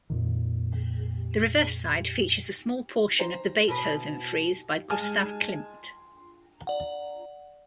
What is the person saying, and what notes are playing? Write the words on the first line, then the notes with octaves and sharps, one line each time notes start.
The reverse side features a small portion of the "Beethoven Frieze" by Gustav Klimt.
F2 A#2 D#3
C5 A#5
B2 E4 B4
G#3 G#5 A5 F6
D5 F#5